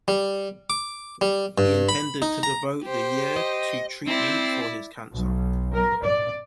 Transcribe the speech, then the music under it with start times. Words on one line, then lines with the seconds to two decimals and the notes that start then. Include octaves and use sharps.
He intended to devote the year to treatment for his cancer.
0.08 G3
0.70 D6
1.21 G3
1.58 G2
1.89 B5
2.22 D#4
2.43 A#5
2.84 G4 C5
3.36 D#5
4.07 C4 E4 D5
5.15 B1
5.74 A#4
6.04 D5